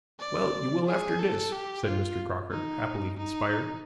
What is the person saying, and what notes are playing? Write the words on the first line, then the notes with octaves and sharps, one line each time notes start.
"Well, you will after dis!" said Mr. Crocker, happily inspired.
D5
G#4
A4
G4
F4
D#4
D#4